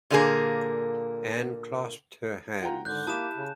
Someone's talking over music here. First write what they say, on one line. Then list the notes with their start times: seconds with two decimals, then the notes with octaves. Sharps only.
Anne clasped her hands.
0.10 A#2 D3 A#3 B3 G#4 A#4
2.62 F4 F#5 G5 A#5
2.85 G#1 D3 F#6 G6
3.07 A#3 E4 G4 A5 D#6 E7
3.36 C#3